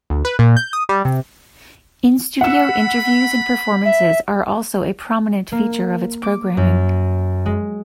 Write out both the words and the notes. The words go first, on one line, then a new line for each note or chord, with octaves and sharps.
In-studio interviews and performances are also a prominent feature of its programming.
D2
B4
A#2
G6
D#6
G3
C3
F#5 B5 E6
E5
A#3
D6
F#2
G#3